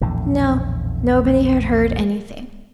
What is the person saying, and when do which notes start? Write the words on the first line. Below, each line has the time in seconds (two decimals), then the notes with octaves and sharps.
No, nobody had heard anything.
0.01 A#1 E2 A2 D3